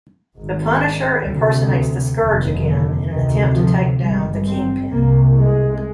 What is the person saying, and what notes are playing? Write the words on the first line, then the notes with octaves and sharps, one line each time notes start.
The Punisher impersonates the Scourge again in an attempt to take down the Kingpin.
G#1 G#2
D2 C3
F1 D#2
D3
D2 C3 D#3
F3
G#1 G2 G3
C4
C2 C3 A#3
G#3